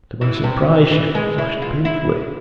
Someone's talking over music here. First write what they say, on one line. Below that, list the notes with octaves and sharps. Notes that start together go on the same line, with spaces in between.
To my surprise, she flushed painfully.
E3
C3
E3
G#3
E4
F4
E4